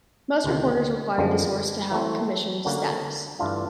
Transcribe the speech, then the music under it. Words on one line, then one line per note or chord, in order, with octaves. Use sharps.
Most reporters require the source to have "commissioned status".
D2 C3 D#3
F#2 D3 F3 G#3 B3
E3 A3 C4
D3 F#3 A#3 C#4 F#4
G2 E3 A3 D4 F4